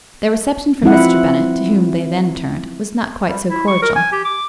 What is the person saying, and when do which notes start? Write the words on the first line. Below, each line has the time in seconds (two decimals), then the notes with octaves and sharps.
Their reception from Mr. Bennet, to whom they then turned, was not quite so cordial.
0.83 F3 C4 E4 F#5
3.27 G3
3.48 E4
3.67 C#6
3.83 A#4
3.96 G#5
4.12 G4
4.25 D6